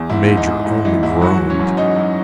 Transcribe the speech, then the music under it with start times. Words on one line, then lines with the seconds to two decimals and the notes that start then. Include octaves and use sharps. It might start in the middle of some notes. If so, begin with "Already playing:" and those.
The Major only groaned.
Already playing: E2
0.10 G#2 E4
0.28 G#2
0.37 D#4
0.47 G#2
0.65 G#2 E4
0.85 E3 D#4
1.03 G#2 E4
1.21 E3 F#3 F#4
1.41 E3
1.50 C#4 C#5
1.59 F#2
1.77 F#2 D#4 D#5
1.96 F#2